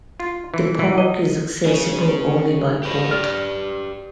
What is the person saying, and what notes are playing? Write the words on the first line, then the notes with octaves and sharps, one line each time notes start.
The park is accessible only by boat.
F4
E3
E3
D#5
C#4 G#4
G4 B4
D5 F6 D7